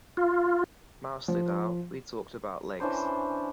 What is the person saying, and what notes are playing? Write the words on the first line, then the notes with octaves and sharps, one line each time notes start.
Mostly, though, we talked about legs.
F4
F3
E3 C#4 D4 C5